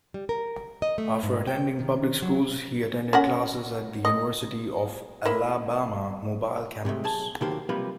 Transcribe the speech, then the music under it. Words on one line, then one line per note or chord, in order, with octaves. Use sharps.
After attending public schools, he attended classes at the University of Alabama, Mobile campus.
G3
A#4
D#5
A3
G#2
G5
D#3
F#3
C#4 A#4 F#5
D#5
A#3 E4
G#2 C3 G#3 A3
B1 G#4 A5
B2 D#3 F#3 A#3 G4 C5
B1 C3 F3 G3 A#3 B4